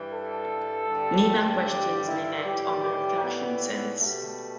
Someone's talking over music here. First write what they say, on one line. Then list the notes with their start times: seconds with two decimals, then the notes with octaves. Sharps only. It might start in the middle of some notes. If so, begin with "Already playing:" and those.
Nina questions Lynette on her fashion sense.
Already playing: G2 E3 G3
0.11 A4
0.88 G2 D3 G3
1.66 G4
2.06 E4
2.44 A2 E3 G3 G4
2.83 G4
3.23 B3
3.99 B2 G3 A3